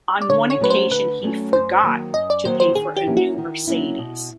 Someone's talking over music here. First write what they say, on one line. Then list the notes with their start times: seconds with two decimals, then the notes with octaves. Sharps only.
On one occasion he 'forgot' to pay for a new Mercedes.
0.21 D5
0.29 D3 C#5
0.50 C#5
0.60 F#3 A3 C#4 B4
0.70 C5
0.91 D3 B4
1.22 F#3 A3 C#4
1.52 F#2 C5
1.83 D#3 F#3 A#3
2.14 F#2 D#5
2.30 D5
2.45 D#3 F#3 A#3 C5
2.60 C5
2.75 D#3 G#4
2.96 G4
3.06 F#3 A#3 C#4 E4
3.17 F#4
3.38 D#3
3.67 F#3 A#3 C#4 E4
3.98 B2